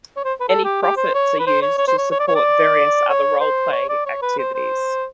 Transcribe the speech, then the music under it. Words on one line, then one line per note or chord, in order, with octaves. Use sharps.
Any profits are used to support various other role-playing activities.
C#5
C5
B4
A4
G4
G4
C5
C#5
B4
C5
C#5
C#5
C5
C#5
C#5
D5
C#5
D5
C#5
C5
C#5
D5
C#5
B4
C5
C5